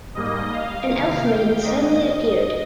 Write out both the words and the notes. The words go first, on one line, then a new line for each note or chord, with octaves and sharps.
An elf maiden suddenly appeared.
G#2 G3 A#3 D#5
F5
C3 D#3 A#3
G5
G#2 D#3 A#3 D#5